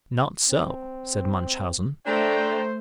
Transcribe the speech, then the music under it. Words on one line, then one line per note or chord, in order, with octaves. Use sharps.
"Not so," said Munchausen.
C4
A3 D4 C5 D5 G5 A#5